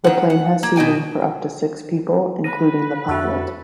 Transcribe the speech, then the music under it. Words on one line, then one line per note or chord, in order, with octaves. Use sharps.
The plane has seating for up to six people including the pilot.
D#3 F#5
F#5
A#3
B2 D#5 G5 G#5
B4 A#6 D#7
F2 D4 E4 F#4 A4 C#6 E6 F#6